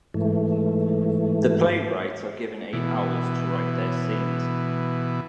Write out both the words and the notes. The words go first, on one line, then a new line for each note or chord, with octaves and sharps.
The playwrights are given eight hours to write their scenes.
G#2 E3 A3
B2 E3